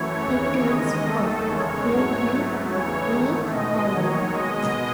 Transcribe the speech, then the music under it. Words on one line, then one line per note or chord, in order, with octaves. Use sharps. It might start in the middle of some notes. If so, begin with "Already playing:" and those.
It runs from Bewdley to Great Malvern.
Already playing: F#2 E3 A3 C#5
D#2 C#3 E3 C#5
D#2 D#3 G#3 D#5
D#2 D#3 A3 A4
E2 C#3 G#3 C#5
G#2 F#3 A3 C#5
G#2 F#3 A3
E2 C#3 E3 C#5
G#2 D#3 A3
B2 G#3 D#5
D#2 D#3 F#3 C#5
B2 G#3 D#5